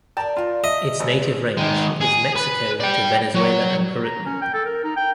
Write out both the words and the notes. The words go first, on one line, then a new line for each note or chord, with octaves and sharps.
Its native range is Mexico to Venezuela and Peru.
A#4 D5 G5 A5 A#5
D4 F4 A#4
D#5 E5
G#1 F#3 D#4 B4
D#3 G#3
G#4
B4
D5 G5
F#3
A#5
C#4
G5
A4
A#4
D#4
G5